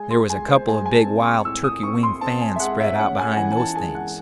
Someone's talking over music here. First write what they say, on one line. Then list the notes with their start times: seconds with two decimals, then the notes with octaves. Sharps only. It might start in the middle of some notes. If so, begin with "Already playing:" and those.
There was a couple of big wild-turkey-wing fans spread out behind those things.
Already playing: G#3 G#5
0.11 C6
0.29 G#3 G#5
0.48 C5
0.67 G#3 G#5
0.86 G#5
0.94 A5
1.06 C4
1.20 C#6
1.45 A2 E6
1.64 D#6
1.83 C4 C#6
2.03 C6
2.21 C4 A5
2.41 G#5
2.56 E5
2.60 G#3 F#5
2.80 E5
2.99 C#4 F#5
3.18 G#5
3.31 F#5
3.37 E3 G#5
3.52 G#5
3.57 A5
3.76 G#3 G#5
3.95 F#5